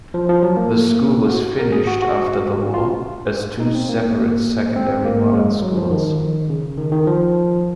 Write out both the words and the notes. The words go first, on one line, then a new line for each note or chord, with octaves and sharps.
The School was finished after the war as two separate Secondary Modern Schools.
F3
F3
F#3
A#3
F#4
A#4
G#4
F#4
F#4
F4
D#4
C4
A#3
C4
A#3
G#3
F#3
F3
D#3
F3
D#3
C#3
D#3
D#3
F3